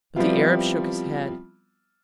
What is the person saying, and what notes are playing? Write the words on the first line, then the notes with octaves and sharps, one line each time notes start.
But the Arab shook his head.
F3 G3 B3 C4 E4 F4